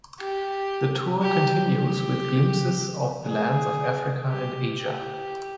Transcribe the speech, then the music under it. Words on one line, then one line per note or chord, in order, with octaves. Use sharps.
The tour continues with glimpses of the lands of Africa and Asia.
G4
G4
G4
G#4
G4
G4